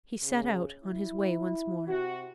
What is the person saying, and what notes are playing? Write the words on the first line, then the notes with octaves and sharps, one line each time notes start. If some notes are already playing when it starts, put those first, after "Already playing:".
He set out on his way once more.
C#3
E4
C3 F#4